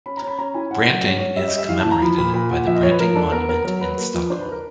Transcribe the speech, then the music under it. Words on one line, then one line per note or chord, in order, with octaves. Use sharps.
Branting is commemorated by the Branting Monument in Stockholm.
C#4 B5
A#5
C#4
B5
C#4 A#5
E4 G#5
C#4 F#5
F#3
C#4
C#4
G3 E5
D#5
G3
E5
E3 F5
E3 A5
A#5
F3 B5
A#2 B5
A#2 B5
A#2 F#5
F3 E5
D#5
F3 C#5
B4
F3 A#4
D4 A4
B3 A#4
B3 A#4
F#3 A#4
F#3 B4
A#3
F3
D4 C5
D4 B4
A#4